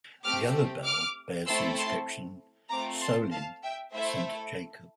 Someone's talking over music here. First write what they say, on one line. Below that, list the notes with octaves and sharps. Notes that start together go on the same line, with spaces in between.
The other bell bears the inscription: Solin - Saint Jacob.
A3 C4 G4 D6 F6
D6 F6
A3 C4 E4 A4 C6 E6
A5 C6
A3 C4 F4 A4 A#5 D6
A5 C6
F5 A5
E5 G5
A3 E4 A4 C5 E5